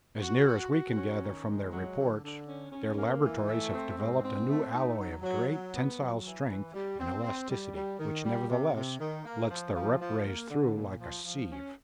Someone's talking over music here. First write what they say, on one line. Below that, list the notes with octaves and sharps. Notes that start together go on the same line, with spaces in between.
As near as we can gather from their reports, their laboratories have developed a new alloy of great tensile strength and elasticity which nevertheless lets the rep rays through like a sieve.
F#4
F#4
F#4
C#4
D#3
G#3
F#3
D3
D3
C#4
C#4
A#3
E3
A3
C4
G#2
C4
A3
D#4
F#3
F#3
F#3
B3
F#3
E3
E3
G3
C4
C4
G3
G3
D#3
G3
C3
C3
D#3
A#3
F3
F3
F3
A#3
D3
A#2
F3
F3
C#4